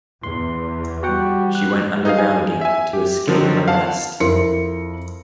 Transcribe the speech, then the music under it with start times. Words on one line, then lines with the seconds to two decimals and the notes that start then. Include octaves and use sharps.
She went underground again to escape arrest.
0.23 E2 C6
1.03 G3 F#4 F#5 G5
1.55 F#6
2.05 D#4 G#4 D#5 F5
2.18 G#5
2.61 E5 G#5
2.93 G4
3.27 D3 D#3 F3 F#3 C4 D#4
3.68 F5 F#5 A5
4.20 F2 E4 A#4 C6 C#7